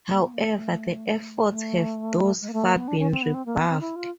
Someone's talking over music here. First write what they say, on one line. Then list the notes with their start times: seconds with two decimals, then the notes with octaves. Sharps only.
However, the efforts have thus far been rebuffed.
0.11 A#3
0.22 B3
0.33 A#3
0.45 A3
0.57 A3
1.49 A3
2.41 G#3
2.48 A#3
2.53 A3
2.65 A#3
2.77 B3
2.88 D4
2.99 C#4
3.11 C4
3.22 B3
3.34 C4
3.46 A#3
3.58 B3
3.69 C4
3.80 E4
3.96 F4